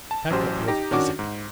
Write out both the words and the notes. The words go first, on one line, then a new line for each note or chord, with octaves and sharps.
Pack up your physic.
A5
A1 F#3 C#4 G4 C5
D#4 G4 A#6
D#3 C#4 D4 F#4 D6
G#2